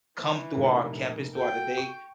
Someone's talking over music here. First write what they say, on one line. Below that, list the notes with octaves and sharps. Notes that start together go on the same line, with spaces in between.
come through our campus throughout the day
E3
F1 A#1 A#4
F#4 A4 G5
C#6